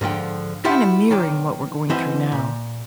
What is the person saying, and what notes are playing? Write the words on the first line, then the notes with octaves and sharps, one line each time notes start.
kinda mirroring what we're going through now,
G#2 D3 F3 G5
E4 F4 G4 E5 F#5
B1 D#3 D5 G5
E3 C4 E4 B4 D#5 F#5
A#2